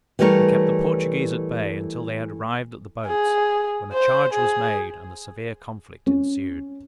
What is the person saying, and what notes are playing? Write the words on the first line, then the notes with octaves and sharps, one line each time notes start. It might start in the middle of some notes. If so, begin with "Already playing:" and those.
They kept the Portuguese at bay until they had arrived at the boats, when a charge was made and a severe conflict ensued.
E3 G3 A3 A#4 C#5
G#4
C5
G#4
C#4